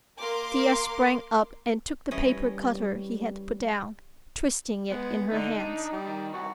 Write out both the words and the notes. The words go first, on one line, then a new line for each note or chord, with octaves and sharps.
Thea sprang up and took the paper-cutter he had put down, twisting it in her hands.
A#3 A#4 C6 D6
E3 G3 C#4 D#5
G#3 B3
D3 D#4
D4
G3
D#3
C2 F#4